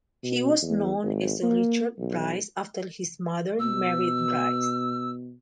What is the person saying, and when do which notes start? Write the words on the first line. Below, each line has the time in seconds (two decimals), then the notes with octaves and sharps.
He was known as Richard Bryce after his mother married Bryce.
0.23 B2
0.62 E2
1.03 G#1
1.43 A#3
1.99 B1
3.59 B2 E6